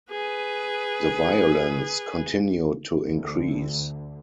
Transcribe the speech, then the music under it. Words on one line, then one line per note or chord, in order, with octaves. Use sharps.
The violence continued to increase.
G#4 B4
D2 D3